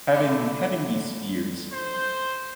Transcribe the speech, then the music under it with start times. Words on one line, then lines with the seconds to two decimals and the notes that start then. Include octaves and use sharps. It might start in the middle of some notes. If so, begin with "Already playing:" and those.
having having these fears
0.14 G2 D3 A3
1.72 C5